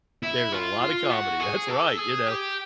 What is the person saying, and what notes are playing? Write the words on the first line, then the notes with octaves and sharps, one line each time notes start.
There's a lot of comedy, that's right, you know.
E4
F4
F4
F#4
G#4
A4
G#4
G4